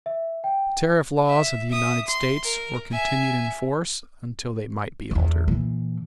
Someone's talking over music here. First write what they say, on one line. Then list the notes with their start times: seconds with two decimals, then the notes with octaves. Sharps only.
The tariff laws of the United States were continued in force until they might be altered.
0.06 E5
0.44 G5
1.26 E5
1.69 E5 D#6
2.08 C6
2.43 A#4
2.91 E5 G#5
5.11 E2 D3
5.48 A#2 E3